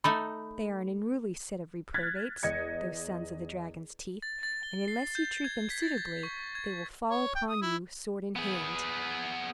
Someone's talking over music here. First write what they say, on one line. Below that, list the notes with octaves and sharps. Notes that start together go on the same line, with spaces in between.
They are an unruly set of reprobates, those sons of the dragon's teeth; and unless you treat them suitably, they will fall upon you sword in hand.
A3 D#4 A4 B5
F6 F#6 G#6 A6 B6
E2 D#5 G#6 C#7
A6
A6
G7
C7
G6
G#6
B6
A6
G#6
C#6
G#6
C#5
G5
D#6
E4
B3 G#4